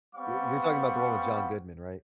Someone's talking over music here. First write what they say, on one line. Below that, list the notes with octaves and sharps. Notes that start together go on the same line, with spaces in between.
y you're talking about the one with John Goodman, right?
G3 B3 C4 F5 F#5 C#6